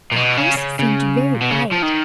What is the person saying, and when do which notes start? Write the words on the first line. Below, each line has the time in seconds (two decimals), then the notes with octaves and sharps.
The house seemed very quiet.
0.12 A#2
0.16 B2
0.37 C#3
0.57 C#3
0.79 C#3
1.34 A#2
1.40 B2
1.50 C#3
1.71 F3
1.82 D#3